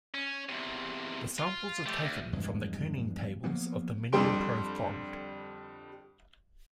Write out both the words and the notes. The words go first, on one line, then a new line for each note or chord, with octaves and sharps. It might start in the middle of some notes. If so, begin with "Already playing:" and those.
The samples are taken from the kerning tables of the Minion Pro font.
C#4
E2 C3
F4
A3 G4
D2
F1 E2 G2 G#3
F3 F#3 A#3 B3
F2 D3 G3 G4 C6 D7